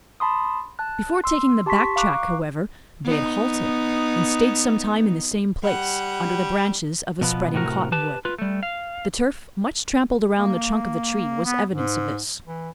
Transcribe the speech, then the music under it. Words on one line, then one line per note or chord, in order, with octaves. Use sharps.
Before taking the back track, however, they had halted, and stayed some time in the same place--under the branches of a spreading cottonwood. The turf, much trampled around the trunk of the tree, was evidence of this.
A5 B5 C6 D#6
A5 F#6
C6 E6
G4 A5 C6 C#6 B6
F5 A#5 C#6 D6 F#6
B3 D#4
G3 F#5
B2 F3 B3
A2 C3 F#4 A#4
G4 B4 A5
F4 B4
G3 A3
F5
A#3
B3
G#2
E3